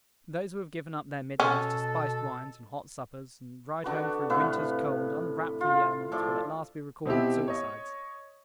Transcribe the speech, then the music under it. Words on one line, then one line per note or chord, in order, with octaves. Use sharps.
Those who have given up their midnights to spiced wines, and hot suppers, and ride home through winter's cold, unwrapped from the elements, will at last be recorded suicides.
B2 C#4 A4
D3 D4 F#4 B4
A2 C3 B4 F5
F4
A2 F3 D5
B2 C4 E4 G4
C#5 D#5